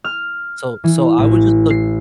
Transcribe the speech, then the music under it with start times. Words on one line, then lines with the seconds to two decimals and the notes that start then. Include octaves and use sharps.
So so I would just look
0.04 F6
0.84 E3
1.18 A1
1.70 C7